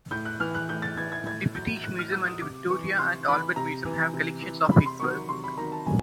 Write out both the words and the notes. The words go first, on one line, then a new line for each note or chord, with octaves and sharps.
The British Museum and the Victoria and Albert Museum have collections of his work.
A2 G6
F#6
E3 F6
F#6
A2 G6
A6
E3 G#6
G#6
A2 G#6
F#3 G6
A2 F#6
F6
F#3 E6
D#6
C3 D6
E3 C#6
C3 C6
E3 B5
C3 A#5
E3
C3
E3
C3 B5
C6
D#3 F#3 C#6
C3 C6
B5
D#3 F#3 A#5
A5
B2 G#5